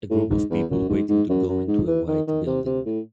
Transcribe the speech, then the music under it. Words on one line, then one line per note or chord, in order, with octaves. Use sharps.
A group of people waiting to go into a white building.
A2
G#2
E2
F#2
G#2
G#2
F#2
F#2
G#2
E3
D#3
D#3
C3
C3
A2